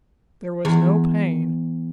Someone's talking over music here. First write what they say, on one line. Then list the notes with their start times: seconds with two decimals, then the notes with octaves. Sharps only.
There was no pain.
0.65 E2